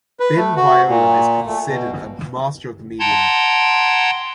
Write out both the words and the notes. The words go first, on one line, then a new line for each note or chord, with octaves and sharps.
Bill Viola is considered a master of the medium.
B4
A3
F#4
A#2
A3
B2
F#5 G5 A5 A#5 C6 G#6